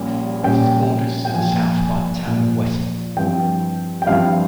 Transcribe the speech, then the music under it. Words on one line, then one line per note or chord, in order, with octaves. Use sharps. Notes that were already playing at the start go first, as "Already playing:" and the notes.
It is bordered to the south by the town of Wesson.
Already playing: A#1 A#2 G3 C#4
A#1 A#2 G3 C#4 G5
G5
A#1 A#2 F3 G#5
A#1 A#2 F3
G2 F3 C4 E4 G5
G5
G2 F3 C4 E4 F5